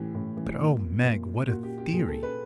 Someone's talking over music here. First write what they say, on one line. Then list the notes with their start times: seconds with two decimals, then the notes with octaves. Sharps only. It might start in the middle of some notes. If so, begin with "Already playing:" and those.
"But oh, Meg, what a theory!"
Already playing: A2 E3 G4
0.14 A2
0.37 E3
0.59 A#2
1.03 A#2
1.48 A#2 F#4
1.63 G4
1.78 G4
1.92 A#2 G#4
2.08 A4
2.23 B4